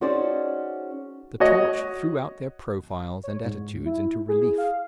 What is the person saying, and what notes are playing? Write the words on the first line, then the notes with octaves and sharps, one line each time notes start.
The torch threw out their profiles and attitudes into relief.
C#4 D#4 F#4 G#4 C5 D5
F#4 C#5 D#5
C#5
G#2
E4
G#4
F5